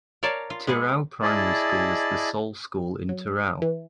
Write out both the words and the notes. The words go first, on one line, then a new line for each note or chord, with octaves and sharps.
Tirau Primary School is the sole school in Tirau.
A#4 C#5 D5 F5 A5
F4
G#3 B3 G#4 F#5
E4 G#4 D5 D#5 A5 B5
F#3
E3